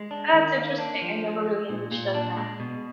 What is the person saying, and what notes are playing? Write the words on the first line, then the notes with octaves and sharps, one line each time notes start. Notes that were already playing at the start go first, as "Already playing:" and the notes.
That's interesting. I never really understood that.
Already playing: G#3
D4
D#3
A#3
D4
F3
G#3
G#3
A#2
A#2
D4
G#3
B2